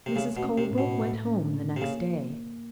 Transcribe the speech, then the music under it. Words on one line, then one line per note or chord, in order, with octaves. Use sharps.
Mrs. Colebrook went home the next day.
C3
C#3 A3
B2
C#4
C3
A2
B2
A3
C#4
C#3
C3
C#3 A#3